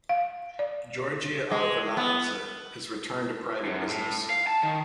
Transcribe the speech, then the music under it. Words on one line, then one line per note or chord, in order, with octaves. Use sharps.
Giorgi Arveladze has returned to private business.
F5
D5
G#3
B3
F#2
A2
F5
A5
D#3